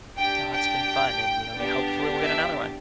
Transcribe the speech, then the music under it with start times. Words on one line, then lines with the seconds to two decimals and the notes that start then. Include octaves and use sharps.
Oh, it's been fun, and, you know, may hopefully, we'll get another one.
0.19 D4 G4 G5
0.53 G5
1.54 B3 D4 G4
2.22 E5